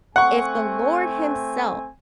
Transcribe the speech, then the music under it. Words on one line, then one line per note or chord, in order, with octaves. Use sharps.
if the Lord himself
A3 C4 F#5 G#5 C#6